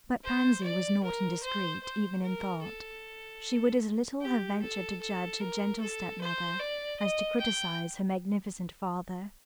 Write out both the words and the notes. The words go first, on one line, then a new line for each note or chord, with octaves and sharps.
But Pansy was not indiscreet even in thought; she would as little have ventured to judge her gentle stepmother as to criticise her magnificent father.
C5
D5
A#4
C5
C5
A#4
A4
G4
A4
A4
A#4
A4
C5
D5
D#5
G5